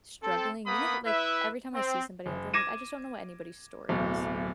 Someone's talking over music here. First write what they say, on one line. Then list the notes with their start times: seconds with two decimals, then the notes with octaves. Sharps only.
struggling." You never like, every time I see somebody out there, I'm like, "I just don't know what anybody's story is."
0.23 C4 A4
0.67 A#3 B3 B5 D#6
1.06 E4 B4 E5
1.74 C4
2.26 F#1
2.54 D6 G#6 A#6 D#7 E7
3.89 D1 B1